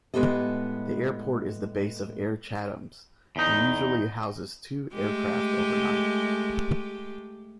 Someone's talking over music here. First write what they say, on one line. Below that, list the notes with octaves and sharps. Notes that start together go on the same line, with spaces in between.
The airport is the base of Air Chathams and usually houses two aircraft overnight.
A2 G#3 B3 G4 A4 D#5
E2 D#4
G#3 A3 G4